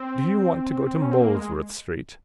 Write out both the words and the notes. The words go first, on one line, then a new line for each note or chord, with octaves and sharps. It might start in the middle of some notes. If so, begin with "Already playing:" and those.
Do you want to go to Molesworth street?
Already playing: C4
C#4
C4
A#3
G#3